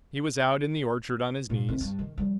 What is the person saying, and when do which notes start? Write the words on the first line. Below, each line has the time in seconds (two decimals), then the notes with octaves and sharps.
He was out in the orchard on his knees.
1.50 A#2
1.69 D#3 C4
1.81 G2
1.99 D#3
2.18 F3 G3